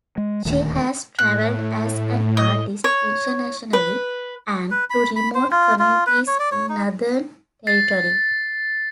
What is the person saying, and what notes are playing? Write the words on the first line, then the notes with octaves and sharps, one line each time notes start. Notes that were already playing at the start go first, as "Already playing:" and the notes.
She has travelled as an artist internationally and to remote communities in Northern Territory.
G#3
D#1 D2 D#3 A3
A2 F#6
D#5
C#5
B4
B4
B5
B5
C5
F4
F4
B4
C#5
D5
C#5
D#4
A6 C7